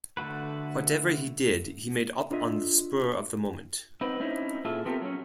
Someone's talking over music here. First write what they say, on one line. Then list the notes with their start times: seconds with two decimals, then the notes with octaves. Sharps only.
Whatever he did, he made up on the spur of the moment.
0.17 D3 A3 F#4 B4
2.31 D4 F4 A4 D#5 E5
4.01 C4 D#4 B4
4.20 C4 C#4 D#4 E4
4.65 A#2 F4 G#4 A4 E5
4.85 B3 C4 G4 A4 A#4
5.01 F#3 C#4